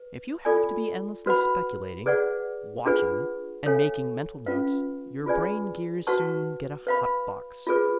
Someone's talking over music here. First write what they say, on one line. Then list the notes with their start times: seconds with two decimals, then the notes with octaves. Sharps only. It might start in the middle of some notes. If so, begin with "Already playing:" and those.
If you have to be endlessly speculating, watching, and making mental notes, your brain-gears soon get a hot box.
Already playing: B4
0.45 F4 A4 D5 G#5
1.26 F#4 B4 F#5 B5
2.06 G#4 B4 D5 F#5
2.86 D4 F4 G#4 B4 F#5
3.66 A4 C#5 F5 G#5
4.46 C#4 F4 B4 F5
5.26 F4 G#4 B4 D5 G#5
6.07 F#4 B4 F#5 A5 C#6
6.87 B4 F5 B5
7.67 F4 G#4 B4